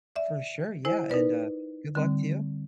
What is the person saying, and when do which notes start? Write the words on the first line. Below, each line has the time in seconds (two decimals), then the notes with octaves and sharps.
For sure, yeah and, uh, good luck to you.
0.16 D5 E5
0.85 E4 C5 G#5
1.10 D#4 A#4 B4 D5
1.95 D3 G3 C4